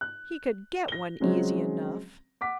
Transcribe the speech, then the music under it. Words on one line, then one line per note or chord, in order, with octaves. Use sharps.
"He could get one easy enough."
F#6
A#6 G7
C#3 F3 F#3 G#3 C4 C#4
F#5 D6 B6